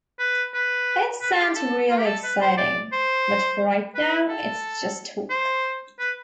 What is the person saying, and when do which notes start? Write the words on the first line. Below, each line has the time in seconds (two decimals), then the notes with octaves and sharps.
It sounds really exciting, but for right now it's just talk.
0.19 B4
0.54 B4
1.21 B4
1.32 A4
1.44 G4
1.55 A4
1.90 F4
1.98 G4
2.06 A4
2.24 B4
2.41 C5
2.57 D5
2.92 C5
3.95 B4
4.28 A4
5.30 C5
5.99 B4